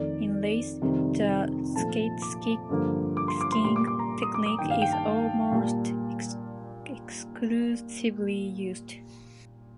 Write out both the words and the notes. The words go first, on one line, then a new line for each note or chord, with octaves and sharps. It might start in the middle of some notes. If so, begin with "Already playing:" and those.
In races, the skate-skiing technique is almost exclusively used.
Already playing: F2 D#3 A3 D5
F2 C3 D#3 G3
A#2 F3 A3 A5
D6
G2 D3 F3 A#3
D6
C6
D6
C6
A#2 G3 A#3 C6
D6
D6
A#5
D#6
D6
D6
G2 D#3 A#3 G5
F5
G5
A5
A#2 G3 A#3